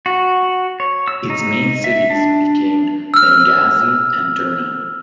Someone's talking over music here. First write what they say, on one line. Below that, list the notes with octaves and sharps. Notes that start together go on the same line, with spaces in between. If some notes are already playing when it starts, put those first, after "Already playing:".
Its main cities became Benghazi and Derna.
F#4
C#5
E6
D#4
E5
D4
E6 F6